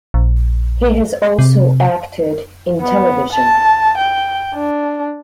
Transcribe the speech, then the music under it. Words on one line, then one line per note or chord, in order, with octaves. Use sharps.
He has also acted in television.
A#1
C3
B3
A5
G5
D4